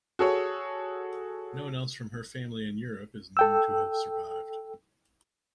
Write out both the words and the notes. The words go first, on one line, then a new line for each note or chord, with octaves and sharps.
No one else from her family in Europe is known to have survived.
F#4 G#4 A4 C#5
A4 G5 E6